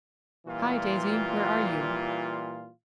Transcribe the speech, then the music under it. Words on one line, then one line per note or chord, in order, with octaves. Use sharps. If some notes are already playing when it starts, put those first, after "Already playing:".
"Hi, Daisy! where are you?"
A#2 E3 G3 F4